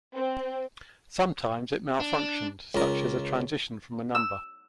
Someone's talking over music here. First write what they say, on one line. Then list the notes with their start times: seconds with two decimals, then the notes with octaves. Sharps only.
Sometimes it malfunctioned, such as a transition from a number.
0.14 C4
2.00 D4
2.75 C#2 A#4
4.15 E6